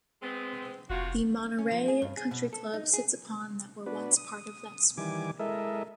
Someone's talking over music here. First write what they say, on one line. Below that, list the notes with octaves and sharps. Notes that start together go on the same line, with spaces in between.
The Monterey Country Club sits upon that were once part of that swamp.
G#3 B3 C4
F1 C3 F4 F#4
C#4
F3
G#4
G2
G#4
B2
A4
D#4
G#4
B3 D4 F#4 B4
D#6
D#3 E3 G3 G#5 D6
G#3 E4 A4 A#4 D#5 E5